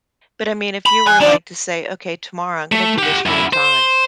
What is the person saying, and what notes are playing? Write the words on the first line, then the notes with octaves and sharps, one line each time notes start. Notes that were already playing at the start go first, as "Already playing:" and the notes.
but I mean if you were like to say, "Okay, tomorrow I'm gonna do this full time
B5
G#5 F#6
D#3 D4 D5
A3
G4 F#5
F#2 E4
C5